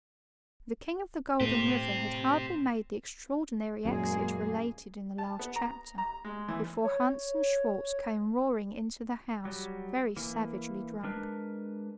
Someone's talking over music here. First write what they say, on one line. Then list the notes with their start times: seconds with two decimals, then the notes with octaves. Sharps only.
The King of the Golden River had hardly made the extraordinary exit related in the last chapter, before Hans and Schwartz came roaring into the house very savagely drunk.
1.41 A2 C4 G4
3.85 F#2 A#2 G#3 A#3 G#4
5.18 A5
5.39 B3
5.56 A#5
5.98 A#5
6.25 G#3
6.49 E3
6.84 C#5
9.45 F#3 G3
10.16 E3 A#3
11.03 G#3 D4 A#4 B4